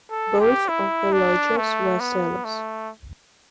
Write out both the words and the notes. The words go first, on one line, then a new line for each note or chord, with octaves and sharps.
Both of the lodgers were sailors.
A4
G4
E4
D4
A3
B3
A3